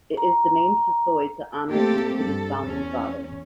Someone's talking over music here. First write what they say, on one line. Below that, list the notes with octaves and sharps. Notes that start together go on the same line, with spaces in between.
It is named Sysoy to honor the city's founding father.
A#5
A3 A#3 C4 G4 A4
G2 A4
E2 C#4